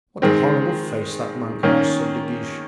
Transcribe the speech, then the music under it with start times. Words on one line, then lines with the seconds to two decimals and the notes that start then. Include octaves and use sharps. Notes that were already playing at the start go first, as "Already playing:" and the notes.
"What a horrible face that monk has," said De Guiche.
0.22 D#3 G#3 C4
1.63 D#3 A#3 C#4